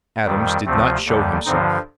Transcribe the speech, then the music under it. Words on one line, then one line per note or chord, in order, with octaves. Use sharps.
Adams did not show himself.
F2 D#3 G3
D2 C3 F3 A3 C4
D#2 D3 G3
G2 D3 F3 C4 D#4